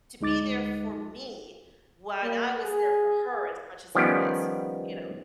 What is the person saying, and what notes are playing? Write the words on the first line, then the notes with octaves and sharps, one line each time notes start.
to be there for me when I was there for her as much as I was, you know
D2 G#3 D#4 D6 A6
A#3
G#4
D#3 F3 G3 B3 C#4 G4